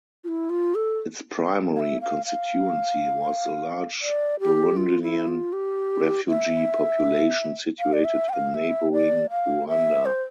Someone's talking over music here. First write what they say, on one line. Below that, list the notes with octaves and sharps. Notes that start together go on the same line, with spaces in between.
Its primary constituency was the large Burundian refugee population situated in neighboring Rwanda.
F4
E4
F4
A4
F5
E5
F5
F5
D5
G4
F4
E4
F4
G4
E5
F5
D5
E5
G5
F5
E5
D5
F5
E5
C5